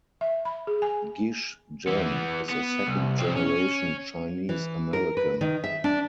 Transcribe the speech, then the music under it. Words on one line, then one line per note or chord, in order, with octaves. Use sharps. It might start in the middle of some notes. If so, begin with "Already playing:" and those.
Gish Jen is a second generation Chinese American.
E5
B5
G#4
G#5
E3 B3
B3
C2
B1 C4
C#4
E3
A#4
B4
D#3
E5
D4